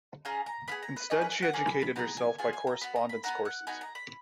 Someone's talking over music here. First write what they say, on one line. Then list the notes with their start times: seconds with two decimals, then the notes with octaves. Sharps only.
Instead she educated herself by correspondence courses.
0.25 C#4 F4 G#4 A#5
0.46 A#5
0.68 B3 F4 G#4 B5
0.82 A#5
0.96 B4
1.10 A#3 C#4 G#4 D#5
1.21 B4
1.32 F5
1.42 F#5
1.53 A#3 C#4 G#4 A#5
1.67 B5
1.82 B5
1.96 B3 F4 G#4 A#5
2.17 G#5
2.38 B3 F4 G#4 G#5
2.53 G#5
2.67 A#5
2.81 B3 F#4 B5
2.96 A#5
3.09 B5
3.24 B3 D#4 F#4 A#5
3.45 F#5
3.67 B3 D#4 F#4 G#5
3.81 A#5
3.95 B5